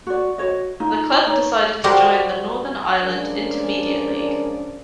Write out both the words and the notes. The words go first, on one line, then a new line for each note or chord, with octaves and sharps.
The club decided to join the Northern Ireland Intermediate League.
F#4 D5
F#4 C#5 D#5
D#4 F4
D#4 C#5
G3 F#4 G4 A#4 C5
F3 G#3 C#4 D4 A#4 D5